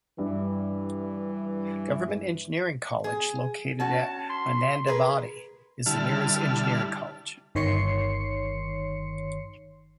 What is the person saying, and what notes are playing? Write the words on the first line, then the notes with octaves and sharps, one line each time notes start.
Government Engineering College located at Mananthavady is the nearest engineering college.
G2 E3
G#4
C#4 F#4 A5
C6
G#4 A#4 B4
D3 G3 E4 A5 F6
G1 D#3 C#5 C6 C7 C#7